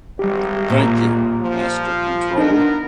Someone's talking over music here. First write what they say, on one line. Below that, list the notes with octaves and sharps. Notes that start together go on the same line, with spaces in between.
Thank you, Master Control.
G#1 G3 G4
A#2
F3
B3 D4 D#4 A#4